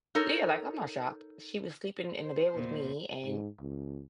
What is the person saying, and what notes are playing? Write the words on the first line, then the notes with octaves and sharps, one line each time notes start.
Yeah, like, "I'm not shocked. She was sleeping in the bed with me and
D#4 A4 A#4 C#5
C5
E2 A#2
G#2
C#2